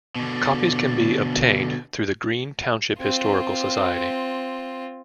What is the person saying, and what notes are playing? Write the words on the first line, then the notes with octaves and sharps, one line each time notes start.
Copies can be obtained through the Green Township Historical Society.
B2 D3
C4 F4